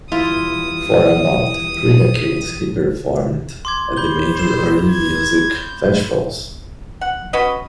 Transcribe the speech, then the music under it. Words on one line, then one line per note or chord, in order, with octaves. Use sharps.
For about three decades he performed at the major early music festivals.
E2 E3 G3 E4 F4 D#6
C6 D6 G#6
B5 G6 G7
C5 B5 E7
G#6
G6
F#5
C#4 F#4 B4 D#5